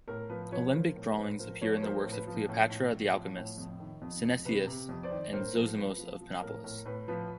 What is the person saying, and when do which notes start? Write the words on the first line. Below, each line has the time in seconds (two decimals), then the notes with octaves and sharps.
Alembic drawings appear in works of Cleopatra the Alchemist, Synesius, and Zosimos of Panopolis.
0.08 A2 A#4
0.29 F3 B4
0.51 F3 B4 C#5
0.74 F3 A#4 C5
0.96 A2 A#4
1.17 A2 B4
1.39 F3 A#4 C5
1.61 F3 B4 C#5
1.76 C#5
1.83 F3 A#4 C5
2.04 A2
2.12 B4
2.27 F3
2.49 A2
2.70 A2
2.92 F3
3.14 F3
3.36 A2
3.58 F2
3.80 D#3
4.02 F2
4.24 F2
4.45 C3 B4
4.67 C3
4.89 F2
5.03 C5 D5
5.11 D#3
5.33 A2 A#4 C5
5.55 F3
5.77 F3 B4
5.98 F3
6.21 F3
6.42 A2 A#4
6.64 A2 A#4
6.85 A2 B4
7.08 F3 B4